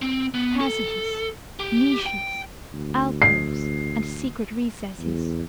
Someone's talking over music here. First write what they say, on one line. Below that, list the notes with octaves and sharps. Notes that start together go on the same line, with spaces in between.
Passages, niches, alcoves, and secret recesses.
C4
B3
A4
G4
G5
D2
C7
E2